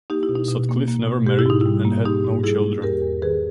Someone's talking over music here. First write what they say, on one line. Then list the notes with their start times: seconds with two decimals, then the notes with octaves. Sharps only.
Sutcliff never married and had no children.
0.10 A#3 D#4 G4
0.23 E4
0.29 B2
0.36 D#4
0.49 B2
0.69 A#3
0.88 A#3
1.07 B2
1.27 G#2 G4
1.39 E4
1.46 G#2 D#4
1.61 G3 E4
1.85 A#3
2.05 G#2 D#4 G4
2.25 G#2
2.43 G3 E4 G#4
2.64 A#3
2.82 E2 G4 A#4
3.02 E2
3.22 D#3 G#4 B4